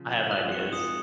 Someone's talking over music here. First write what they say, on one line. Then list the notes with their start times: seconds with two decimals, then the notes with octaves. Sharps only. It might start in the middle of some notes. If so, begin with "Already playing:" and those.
I have ideas.
Already playing: C#3 F3
0.11 F#7
0.31 F3 G#3 F#6
0.45 G#3 C4
0.52 C#7
0.58 D#4 F#4
0.72 F4 G#4 D#6